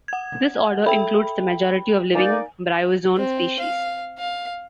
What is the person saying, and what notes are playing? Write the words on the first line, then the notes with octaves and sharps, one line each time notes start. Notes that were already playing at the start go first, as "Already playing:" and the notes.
This order includes the majority of living bryozoan species.
F#5 G#6
A4 E5 G5 B5
A#3 D#4 D5 G#5
C4
F5
F5